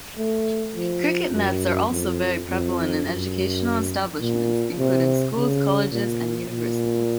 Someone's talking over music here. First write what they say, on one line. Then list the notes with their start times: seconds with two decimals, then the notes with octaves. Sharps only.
Cricket nets are also very prevalent in educational establishments; including schools, colleges and universities.
0.18 A3
0.75 F3
1.33 F#2
1.91 F2
2.48 F2
3.05 F#2
4.20 A#2
4.77 C3
5.35 C#3
5.92 A#2
6.49 A#2